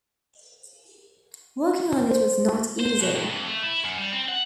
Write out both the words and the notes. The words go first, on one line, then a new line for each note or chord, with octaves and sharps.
Working on it was not easy.
C5
C5
B2
G2
F2
A3
E4
F#2
G3
C4
F#5